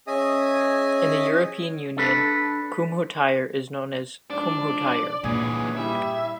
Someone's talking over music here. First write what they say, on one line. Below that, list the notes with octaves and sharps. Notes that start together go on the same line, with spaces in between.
In the European Union, Kumho Tire is known as Kumho Tyre.
C#4 G#4 D#5 E5 G#5 D#6
D4 A4 B4
G#2 F3 D4 D5
A#2 D3 E3 C#4 G#4 B4
G3 E4 E5